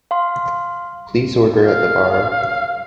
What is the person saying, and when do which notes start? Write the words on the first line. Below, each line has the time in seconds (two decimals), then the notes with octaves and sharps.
Please order at the bar.
0.11 F5 C6
1.65 F5